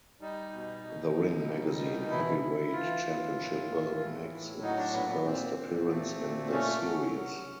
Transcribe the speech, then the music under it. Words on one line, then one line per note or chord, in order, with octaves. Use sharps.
The "Ring" magazine heavyweight championship belt makes its first appearance in the series.
G3 D#4
B2
B2
B2
G3
B2
E3 E4
E3
E3 F4
E3
A2
E3
A2
A2
F#3 D#4
D4
A#2 B3
B3
A#2 C4
A#2
A3
A#2
A3 C#4
F#3
F#3